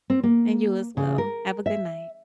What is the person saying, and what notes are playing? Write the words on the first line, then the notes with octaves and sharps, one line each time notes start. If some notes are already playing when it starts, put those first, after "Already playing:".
And you, as well. Have a good night.
C4
A#3
C#3
A#4
E5